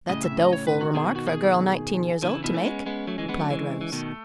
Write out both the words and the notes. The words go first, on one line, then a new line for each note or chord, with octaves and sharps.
"That's a doleful remark for a girl nineteen years old to make," replied Rose.
A2 C#3 D#5
E5
D#5
C#5
B4
F#4
B2 D#3 G#4
F#4
F#4
G#4
B2 D#3 E4
C#3 E3
B2 D#3 E4
A3 C#4
G#3 B3 C#4
G#3 B3
F#3 A3
E3 G#3
G#3 B3
F#3 A3
E3 G#3
E3
B2 D#3 A3